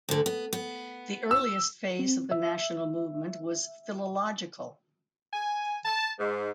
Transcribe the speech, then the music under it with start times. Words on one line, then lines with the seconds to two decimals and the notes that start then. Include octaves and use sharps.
The earliest phase of the national movement was philological.
0.09 D2 D3
0.26 B3
0.53 B3
1.31 E6
1.99 C4
2.31 E5
5.33 G#5
5.85 A5
6.19 G#2